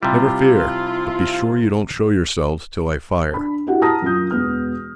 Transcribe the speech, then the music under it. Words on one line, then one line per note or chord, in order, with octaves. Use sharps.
"Never fear! but be sure you don't show yourselves till I fire."
C3 F3 G3 E4 F4
D4 B5
E4 F#4 G4 F#5
F#5 A5 A#5 D#6 F6 A#6
F#2 F4 G6
E1 B3 F6